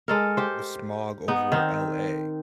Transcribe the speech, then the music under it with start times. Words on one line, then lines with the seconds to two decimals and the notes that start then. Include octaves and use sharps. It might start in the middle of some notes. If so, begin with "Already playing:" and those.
the smog over LA.
0.08 G#3 A4 A#4
0.37 G4 C5
1.28 B3 D#4
1.52 D#3 C4